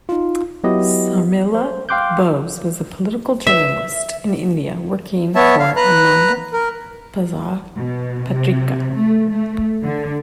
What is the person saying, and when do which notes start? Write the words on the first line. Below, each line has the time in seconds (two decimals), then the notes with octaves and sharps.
Sarmila Bose was a political journalist in India, working for Ananda Bazar Patrika.
0.09 D#4 F4
0.64 F#3 B3 E4 G4 D#5
1.55 C5
1.89 F5 G5 C6 D6 F#6 G6
3.47 E5
5.35 B3 C#5 E5 A5
5.60 F5
5.76 B4 A#5 F#6
6.53 A#4
7.77 B2
8.33 C3
8.97 A3
9.32 A3
9.83 D3